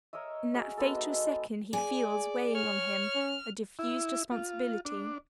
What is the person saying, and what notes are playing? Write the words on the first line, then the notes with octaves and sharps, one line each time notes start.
In that fatal second he feels weighing on him a diffused responsibility.
A#4 C#5 D#5 E5
F#4 G#4 A#4
G#3 B3 A4
D#4 D#5 E5
G#4 D5 G#5
C#5 F6
C#4
E4
F4
D4